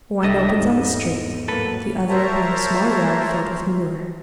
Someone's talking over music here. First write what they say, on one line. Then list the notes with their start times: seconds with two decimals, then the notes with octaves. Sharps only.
One opens on the street, the other upon a small yard filled with manure.
0.23 C2 G#3 D4 G4 A4 D#5 E5
0.58 E2 G#2 D#3 C4
1.48 A2 F#3 A#3 A4 B4
2.09 A#4 C5 C#5 E5 A5 A#5